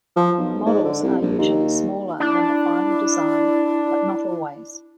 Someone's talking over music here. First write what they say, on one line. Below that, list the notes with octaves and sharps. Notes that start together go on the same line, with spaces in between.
Models are usually smaller than the final design, but not always.
F3
B1
G#2
D3
C2
A#1
D#2
D4 E4